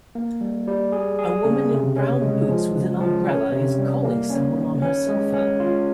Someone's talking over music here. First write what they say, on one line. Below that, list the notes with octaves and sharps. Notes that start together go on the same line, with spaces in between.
A woman in brown boots with an umbrella is calling someone on her cellphone.
A#3
G3
G3
G#4
G#4
C#3
C3
C#4
G#3
F3
C#3
F3
C#4
C3
G3
A#3
C#4
D#3
C#4
G#3
C#4
F4